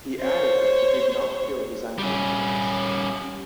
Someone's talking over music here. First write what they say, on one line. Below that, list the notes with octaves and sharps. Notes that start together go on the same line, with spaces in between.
He added that he did not feel resentful for this.
C5 C#5
G3 C#4